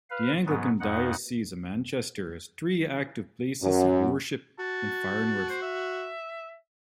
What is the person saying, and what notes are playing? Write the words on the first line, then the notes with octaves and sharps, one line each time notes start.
The Anglican Diocese of Manchester has three active places of worship in Farnworth.
B4 F5
G#2 F#3 B3
F2 D#4 F#5
F#2
F#4 A5
C5
E5